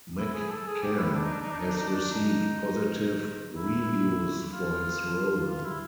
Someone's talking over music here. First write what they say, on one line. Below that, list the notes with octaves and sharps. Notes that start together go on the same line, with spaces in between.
McCann has received positive reviews for his role.
E4
G#4
A4
G#4
G4
E4
D4
D#4
D4
D#4
D4
D#4
D4
D#4
D4
D#4
E4
F4
F4
E4